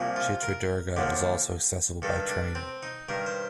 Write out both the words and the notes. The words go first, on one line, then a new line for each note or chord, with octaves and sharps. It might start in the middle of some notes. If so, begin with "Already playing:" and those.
Chitradurga is also accessible by train.
Already playing: C2 A#2 F3
F4
A#4
D#2 D3 F3
G2 D#3 A4
D4
C4
D#4
G2 D#3 A#4
C5